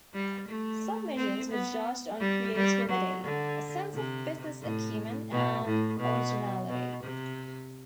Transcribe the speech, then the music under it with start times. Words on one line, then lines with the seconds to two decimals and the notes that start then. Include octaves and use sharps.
Submissions were judged on creativity, a sense of business acumen and originality.
0.14 G3
0.48 A3
1.17 C4
1.52 B3
2.21 G3
2.56 G3
2.89 F#3
3.24 D3
3.94 C3
4.62 A2
5.31 B2
5.66 A2
6.00 B2
6.69 B2
7.03 C3